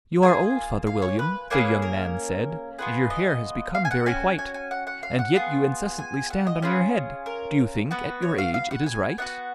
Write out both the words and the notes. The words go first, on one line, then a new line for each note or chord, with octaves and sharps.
'You are old, Father William,' the young man said, 'And your hair has become very white; And yet you incessantly stand on your head-- Do you think, at your age, it is right?'
A#3 F4 G#4 G#5
F5
C#5
B4
A#3 C#4 G#4 B4
A#4
B3 F4 G#4 B4
D#5
F5
G#5
F#5
C#4 F#4 G#5
G#5
G#5
F#5
F#5
F5
F#5
B3 F4 G#4
G#5
F#5
D#5
C#4 F4 G#4 B4
A#4
B3 F#4 B4
C#5
F5
F5
F#5
G#5
B3 D#4 F#4 F#5